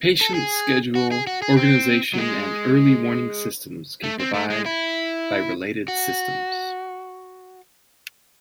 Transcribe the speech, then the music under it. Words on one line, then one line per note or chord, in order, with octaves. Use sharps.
Patient schedule organization and early warning systems can provide by related systems.
A4
G#4
F#4
G#4
F#4
G#4
C4
F#3
G#3
A3
C4
A3
G#3
E4
F#4